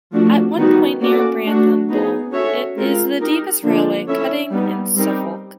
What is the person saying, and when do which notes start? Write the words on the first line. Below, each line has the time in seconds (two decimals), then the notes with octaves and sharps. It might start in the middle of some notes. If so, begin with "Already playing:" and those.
At one point near Brantham Bull it is the deepest railway cutting in Suffolk.
0.13 F3 A3 D4 F#4
0.57 D#3 G3 B3 D#4 F#4
1.01 A#3 C#4 F#4 A4 D5
1.44 A3 D4 F#4
1.89 B3 D#4 G#4
2.32 C#4 F#4 A4 C#5 E5
2.76 G#3 C4 F4 A#4
3.20 D#4 G4 A#4
3.64 D3 F3 A#3 D4
4.07 C#4 E4 A4 C#5 E5
4.51 G3 B3 D#4
4.95 G3 C4 D#4 G4 A#4